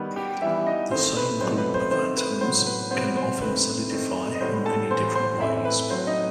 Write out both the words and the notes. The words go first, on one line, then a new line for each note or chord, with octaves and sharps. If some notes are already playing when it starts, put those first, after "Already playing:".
The same group of atoms can often solidify in many different ways.
Already playing: D#3 G3 B3
G4 G5
E3 G3 B3 E4 E5
D#4 D#5
D#3 A3 C4 C5
B4
B2 F#3 A3 C4 C5
B4
C5
D#3 A3 C4 C5
B4
A2 F#3 B3 C5
B4
C3 F#3 B3 C5
C5
D#3 A3 C4 B4
D#3 A3 C4
D#5
A2 G3 B3 C5
A4 A5
A2 E3 B3 C5 C6
C5 C6
A2 E3 A3 C4 E4 E5
B4
A2 F#3 C4 C5
D#4 D#5